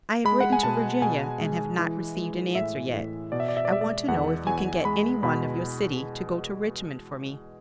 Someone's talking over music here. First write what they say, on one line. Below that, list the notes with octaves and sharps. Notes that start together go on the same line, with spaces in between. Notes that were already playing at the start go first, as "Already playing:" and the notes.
I have written to Virginia and have not received an answer yet. I want to know if you can get any one of your city to go to Richmond for me.
G#3 B5
F#5
G#5
B2 A5
B2 G#5
G#3
E3
G#3
A2 E5
A2
B2 D5
E5
D5
E5
D5
G#3 E5
D5
E2 F#5
E2 G#5
G#3 B5
B2 B5